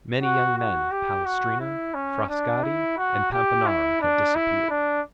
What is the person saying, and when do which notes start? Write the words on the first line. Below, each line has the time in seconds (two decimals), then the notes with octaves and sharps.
Many young men of Palestrina, Frascati, and Pampinara had disappeared.
0.22 F#4
0.57 F#4
0.91 G4
1.26 F#4
1.60 E4
1.94 C#4
2.29 D4
2.63 E4
2.98 F#4
3.33 G4
3.67 E4
4.01 D4
4.35 E4
4.70 D4